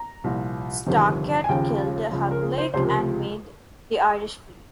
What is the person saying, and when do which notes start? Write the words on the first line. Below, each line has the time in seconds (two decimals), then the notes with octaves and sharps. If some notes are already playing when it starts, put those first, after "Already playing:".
Starkad killed Hugleik and made the Irish flee.
Already playing: A#5
0.24 C2 A#2 F3
0.86 G1 F2 C3 D#3
1.44 G#5
1.49 D#2 C#3 F3 G5
2.11 C#2 C#3 F3
2.31 A#4
2.42 G#4
2.58 C5
2.74 C#2 C3 F3 C5
2.84 A#4